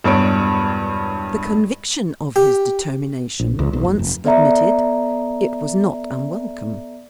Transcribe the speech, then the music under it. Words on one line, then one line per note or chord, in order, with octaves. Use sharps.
The conviction of his determination once admitted, it was not unwelcome.
E1 G2 B3 C#5 D7
G4
A#1
C#2
B1
F#1
F1
B3 A4 D5 E5 A#5